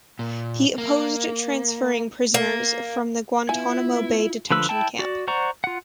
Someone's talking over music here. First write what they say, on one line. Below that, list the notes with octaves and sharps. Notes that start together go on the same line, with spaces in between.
He opposed transferring prisoners from the Guantanamo Bay detention camp.
A#2
A#3
A#3
B3 E4 F4 G#5
D3 F3 B4 E6
E4 G5 A5
F#4 D5
C5 D5 F#5 A#5 C#6
F4 F#5